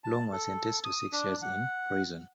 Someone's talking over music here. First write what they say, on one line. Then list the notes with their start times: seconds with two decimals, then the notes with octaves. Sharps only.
Long was sentenced to six years in prison.
0.04 A5
0.32 A4
0.84 D#6
1.12 D4
1.42 F#5